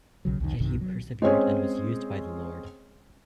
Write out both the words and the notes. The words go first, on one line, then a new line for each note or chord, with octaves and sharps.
Yet he persevered and was used by the Lord.
B1 C#3 F#3
C2 F2 D#3
B1 G2 C3 D#3
F#3
G#3 C4 C#4 G#4